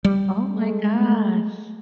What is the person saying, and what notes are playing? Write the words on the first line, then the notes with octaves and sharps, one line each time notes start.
Oh my gosh.
G3
G#3 A3